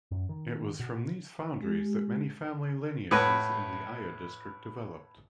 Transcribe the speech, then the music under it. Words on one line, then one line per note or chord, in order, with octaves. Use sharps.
It was from these foundries that many family lineages in the Aia district developed.
F#2
D#3
B2
G#3 G4
A2 B3 B4